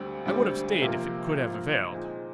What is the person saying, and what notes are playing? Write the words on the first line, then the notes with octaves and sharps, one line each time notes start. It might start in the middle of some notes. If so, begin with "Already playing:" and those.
"I would have stayed if it could have availed."
Already playing: D2 D3 G3 C4
D2 D3 G3 C4
C3 F3 A#3 F4
C3 F3 A#3 F4
A#2 G#3 C4 D#4